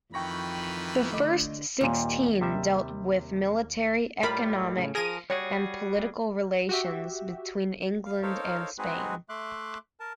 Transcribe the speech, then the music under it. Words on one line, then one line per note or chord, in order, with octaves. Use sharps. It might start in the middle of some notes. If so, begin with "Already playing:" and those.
The first sixteen dealt with military, economic, and political relations between England and Spain.
F2 D#3 E3 G5 B5 C#6 A#6
D3 A3 D#5 D6
D#2 A#2 G3
C3 G3 E5
A2 G3 F4 A#4 B5
A2 C#3
F3 G#4 A#4 A#6 D#7
G3 F#4 G#4 C#5
F#4 G4 E5
F5
D#4 A4 A#4 C5 C#5 F5
G#3 C4 D#4 F#4 G#4 B4
A3 E5 C6 D6 F#6
A#4 A5